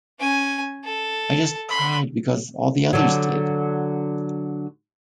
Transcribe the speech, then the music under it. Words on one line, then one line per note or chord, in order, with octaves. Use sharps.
I just cried because all the others did.
C#4 G#5
A4
B5 C6
D3 F#3